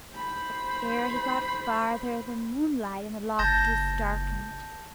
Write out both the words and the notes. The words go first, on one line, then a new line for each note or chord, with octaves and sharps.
But ere he got farther the moonlight in the loft was darkened.
C5 B5
F#1 A5 G6 A#6